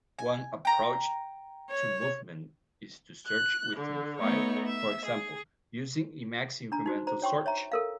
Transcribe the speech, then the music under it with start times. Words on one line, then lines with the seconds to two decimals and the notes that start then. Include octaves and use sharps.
One approach to movement is to search within the file, for example using Emacs incremental search.
0.19 G#5
0.65 G5 A#5
1.70 C#5
3.27 F#6
3.77 D3
4.19 A3 B3 D#4 C#5
4.67 E5
5.07 G#4
6.72 D4 A#5
6.86 D#4 F#4 C5
7.07 C5 A#5
7.22 C#5 G5 C6 C#6
7.46 C#5 E5 A#5
7.72 A4 A#4 F5